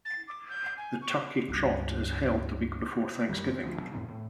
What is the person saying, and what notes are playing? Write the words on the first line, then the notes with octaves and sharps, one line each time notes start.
The Turkey Trot is held the week before Thanksgiving.
A6
D6
G6
G#5
C#6
C#2 G2
F1 F#2 D#3 G3
C4
D2 F3
B2 F#3
F2 A2 C3 D#3
A2